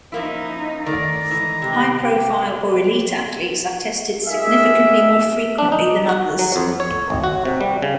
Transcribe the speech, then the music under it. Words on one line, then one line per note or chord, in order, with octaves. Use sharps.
High-profile or elite athletes are tested significantly more frequently than others.
F3 A#3 C#4 D#4 E4 E5
D#3 A3 A4 D5 A#5
D#3 E3 G#3
C3 G4
G4 G5
D#4 F4 G4 G#4 A#4 E5
D4
D#4
F#4
F#3
F2
C#5
G#1
F#4
C3
G3
C#3